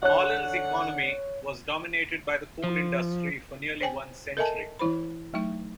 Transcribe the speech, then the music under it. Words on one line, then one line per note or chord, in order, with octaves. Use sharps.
Ahlen's economy was dominated by the coal industry for nearly one century.
D3 C#5 F#5 F#6
F3
C5 C#5 G5 G#5
A4 A#4 D#5 E5 G#5 A5
E3 E4 C5 B5
F#3 A3 D#4 E5